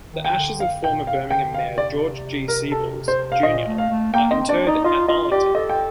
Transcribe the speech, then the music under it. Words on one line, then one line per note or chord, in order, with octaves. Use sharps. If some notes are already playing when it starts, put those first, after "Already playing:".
The ashes of former Birmingham mayor George G. Siebels, Junior are interred at Arlington.
D#3
D#3 G5
D3
F5
A#2 G5
C3 F5
D3 G5
F5
C3
D5
A#4
A4
C5
F5
A#2 D#5
A3
F5
A3
A#3 G5
C4 D#5
D4 D5
D#4 D5
F4 D#5
F4 D#5
G4 D5
A4 D#5
G5